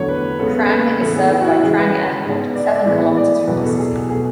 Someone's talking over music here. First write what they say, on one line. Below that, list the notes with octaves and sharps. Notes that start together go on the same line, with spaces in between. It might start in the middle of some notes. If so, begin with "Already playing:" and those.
Trang is served by Trang Airport, seven kilometers from the city.
Already playing: E2 D3 F#3 A3 C#5
B4
C#3 G#3 B3 A4
B4
A4
B4
A2 E3 B3 A4
G#4
E4
F#4
E4
C#3 E3 G#3 G#4
B4
C#5
G#2 G#3 B3
D5
E5
D5
A2 E3 G#3 B3 D5
E5
D5
E2 B2 F#3 B4
A4
G#4
B2 A3 G#4